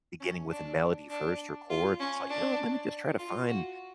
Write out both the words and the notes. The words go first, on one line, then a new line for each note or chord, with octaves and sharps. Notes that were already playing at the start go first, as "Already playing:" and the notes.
beginning with a melody first or chords. It's like, "You know what? Let me just try to find
C#4
D4
D4
F4
C#4
D4
F4
F#4